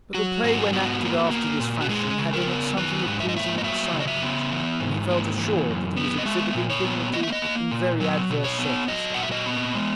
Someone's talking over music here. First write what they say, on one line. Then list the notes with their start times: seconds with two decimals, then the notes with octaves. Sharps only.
But the play when acted after this fashion had in it something of pleasing excitement, and he felt assured that he was exhibiting dignity in very adverse circumstances.
0.14 F#3 F#4
0.43 G#2 F#4
0.62 G#4
0.73 B3 F#4
1.02 A#3
1.31 A#3
1.60 A#2
1.81 F#4
1.89 G#3 G#4
2.18 C#3
2.33 A#4
2.47 B3
2.77 D#3 B4
3.05 G#2
3.20 E5
3.29 D#5
3.35 A#3 E5
3.58 D#5
3.64 F#3 E5
3.93 C#3
4.00 D#5
4.07 E5
4.22 B3
4.51 E3
4.80 G#2
5.09 A#3
5.39 E3
5.68 F#2
5.96 B3
6.19 D#5
6.25 G#3 E5
6.55 A#2
6.70 C#5
6.84 B3
7.13 A#3 D#5
7.23 E5
7.33 D#5
7.42 A#3
7.72 A#2
8.00 F#3
8.30 B2
8.44 C#5
8.58 B3
8.88 F#3 D#5
9.14 A#2 F#5
9.23 E5
9.32 D#5
9.46 B3
9.75 G#3